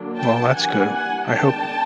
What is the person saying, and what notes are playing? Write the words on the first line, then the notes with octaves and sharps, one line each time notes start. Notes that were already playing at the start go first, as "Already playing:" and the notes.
Well, that's good, I hope it
Already playing: D3 F#3 A#3 D4
G5 A5
E3 G3 A#3 D4 F#5 G#5
F#5 G#5
D#3 G#3 B3 D4 G5 A5